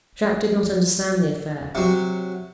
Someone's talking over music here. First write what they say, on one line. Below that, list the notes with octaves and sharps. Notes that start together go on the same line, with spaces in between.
Jacques did not understand the affair.
C3 F#3